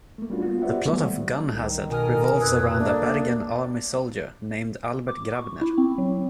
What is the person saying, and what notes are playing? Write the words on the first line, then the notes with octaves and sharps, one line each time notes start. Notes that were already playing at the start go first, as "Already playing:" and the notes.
The plot of "Gun Hazard" revolves around a Bergen Army soldier named Albert Grabner.
A3 A#3
G3 C#4 D4 F4 F#4
B3 F4 F#4
G4 B4 C5 D5 E5 F#5
D#3 F#3 G3 A3 B3
C2 D#3
B2 A4 A#4 G#5 A#5 D#6 F6
F2 B2 B4 D#6 E6 G#6
D#2 A#3 D4 A4 E5
D6
C#6
E4
C4
F#3